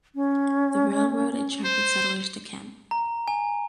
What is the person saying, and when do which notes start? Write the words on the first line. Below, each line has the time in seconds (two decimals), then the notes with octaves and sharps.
The railroad attracted settlers to Kemp.
0.15 C#4
1.64 C5
2.91 A#5
3.28 G#5